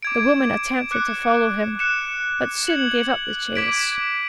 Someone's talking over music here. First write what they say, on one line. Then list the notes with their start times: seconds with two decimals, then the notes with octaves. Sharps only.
The woman attempted to follow him, but soon gave up the chase.
0.03 D6 G#6 D7
0.91 D6 F#6 C#7
1.79 F#6 C#7 E7
2.67 G#6 C#7 F#7
3.55 D6 G#6 B6 D7